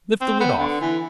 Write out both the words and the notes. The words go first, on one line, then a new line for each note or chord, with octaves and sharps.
"Lift the lid off!"
C4
B3
D3
E3